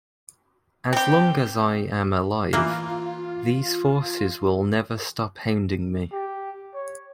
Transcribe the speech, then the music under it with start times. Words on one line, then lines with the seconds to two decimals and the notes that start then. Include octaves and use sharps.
As long as I am alive, these forces will never stop hounding me.
0.93 C4 G4
2.53 E3 A#3 F4
6.12 G4
6.74 C#5